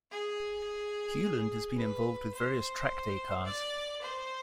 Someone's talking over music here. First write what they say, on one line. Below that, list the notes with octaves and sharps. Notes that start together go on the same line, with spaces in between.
Hewland has been involved with various track day cars.
G#4
B4
C5
D5
C5